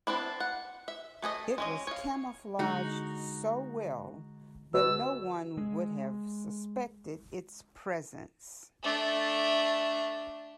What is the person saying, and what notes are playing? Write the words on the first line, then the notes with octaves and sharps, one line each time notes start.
It was camouflaged so well that no one would have suspected its presence.
B3 C4 D4 E4
F#5
E5
A3 G#4 A4 D#5
G#3 C#4 D#5
C#5 F5
D3 G#3 D#4 F#4
D2 B2 E6
G#3
A3 D4